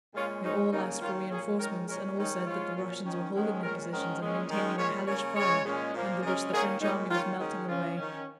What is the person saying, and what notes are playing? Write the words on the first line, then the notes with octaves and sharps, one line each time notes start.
They all asked for reinforcements and all said that the Russians were holding their positions and maintaining a hellish fire under which the French army was melting away.
A#2 G#3 C#4 F4
G#2 G#3 C#4 D#4
C#3 A#3 C#4 D#4
D#3 A#3 C#4 F4
A#2 A#3 C#4 G#4
D#3 G#3 C#4 A#4
A#2 G#3 C#4 A#4
D#3 G#3 C#4 D#4
G#2 G#3 C#4 F4
A#2 F3 C#4
D#3 C#4
G#2 D#3 G#3 C#4
A#2 G#3 C#4 A#4
G#2 D#3 C#4 A#4
A#2 G#3 C#4
D#3 G#3 C#4
A#2 G#3 C#4 C#5
C#3 A#3 C#4 C#5
C#3 G#3 C#4 C#5
A#2 G#3 C#4
A#2 F3 A#3
C#3 G#3 C#4 A#4
D#3 A#3 C#4 G#4
A#2 G#3 C#4 D#4
D#3 A#3 C#4 F4
D#3 G#3 C#4
C#3 F3 C#4 F4
D#3 C#4